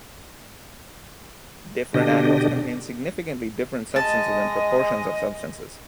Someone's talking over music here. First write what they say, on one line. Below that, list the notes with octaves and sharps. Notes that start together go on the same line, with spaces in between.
Different animals contain significantly different substances and proportions of substances.
B2 D3 D4 G4 D#5
G#3 D#5 A5